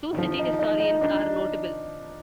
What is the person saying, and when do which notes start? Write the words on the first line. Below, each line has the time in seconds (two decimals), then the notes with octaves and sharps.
Two city historians are notable.
0.13 D#3
0.19 F3
0.39 D#4
0.59 D#4
0.80 D#4
1.01 D4